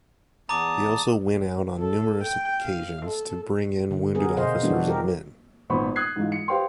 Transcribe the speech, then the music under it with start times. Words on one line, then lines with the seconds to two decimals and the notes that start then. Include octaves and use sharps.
He also went out on numerous occasions to bring in wounded officers and men.
0.49 E2 A5 A#5 D6 D#6
1.78 A4
2.23 G5
2.62 F5
3.06 A4
3.91 D3
4.15 B3 G#4 A#4
4.37 B2 C5 D#5 F5
4.62 E3 G3 B3 D4 F#4 A4
4.87 E3 G4 A#4
5.70 G#1 A#2 B3 C5 B5 C#6
5.96 D#6 F#6 G#6 C7
6.16 G#2 E3 G#3 F4
6.32 C#7
6.48 G4 B4 C5 F5 G5 C6